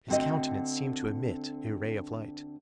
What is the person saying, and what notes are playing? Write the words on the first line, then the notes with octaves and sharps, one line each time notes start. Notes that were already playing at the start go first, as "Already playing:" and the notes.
His countenance seemed to emit a ray of light.
D2 D3 C4 F#4 D#5